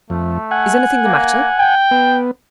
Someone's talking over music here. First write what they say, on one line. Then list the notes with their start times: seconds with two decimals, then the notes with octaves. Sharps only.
Is anything the matter?
0.10 F2 A3
0.51 F#5 G#5
1.05 A#3
1.58 G5
1.91 B3